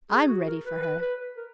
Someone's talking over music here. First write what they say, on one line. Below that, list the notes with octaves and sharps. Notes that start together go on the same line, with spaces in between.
'I'm ready for her.
G#4
F#4
A#4
B4
B4
B4
A#4